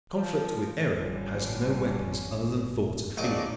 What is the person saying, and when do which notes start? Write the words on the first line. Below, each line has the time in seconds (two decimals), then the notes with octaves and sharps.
Conflict with error has no weapons other than thought and feeling.
0.18 F3
0.96 G#1 D3 F3 G3 C#4
3.17 A#1 C#4 D#4 D5 D#5 D6